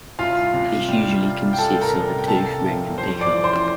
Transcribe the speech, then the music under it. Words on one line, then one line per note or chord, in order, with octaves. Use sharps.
It usually consists of a toothed ring and pickup.
C2 F4 F5
C3
G3
C2
G5
C2 A4 A5
A#4 A#5
C3
G5
G3 A4 A5
C2
F2 C5 C6
D5 D6
E3
C5 C6